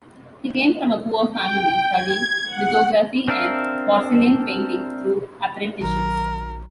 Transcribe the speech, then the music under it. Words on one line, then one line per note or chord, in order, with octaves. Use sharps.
He came from a poor family, studying lithography and porcelain painting through apprenticeships.
G5
G#6
F#5
C4 D4 A#4 E5 F5
A#1 D#3 F#3 A#4